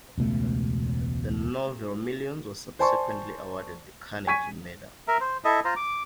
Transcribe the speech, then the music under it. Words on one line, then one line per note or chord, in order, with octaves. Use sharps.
The novel "Millions" was subsequently awarded the Carnegie Medal.
E1 C#2 B2 A3
C5 D5 G#5 A5 C6 C#6
G#5 C#6 G#6 B6 D#7
A#4 E5 A#5
C5
E4 A4 D#5 E5
F4 C5 A#5
D6